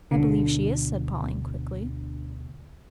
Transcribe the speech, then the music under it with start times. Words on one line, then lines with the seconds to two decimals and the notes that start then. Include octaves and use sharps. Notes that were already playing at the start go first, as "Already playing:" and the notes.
"I believe she is," said Pauline quickly.
0.11 D2 B2 D3